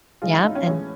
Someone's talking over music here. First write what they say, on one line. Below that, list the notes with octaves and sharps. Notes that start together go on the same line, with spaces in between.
Yeah, and
F#2 D3 F3 G#3 F4
E4
D#4
C#4
A2 E3 G#3 C#4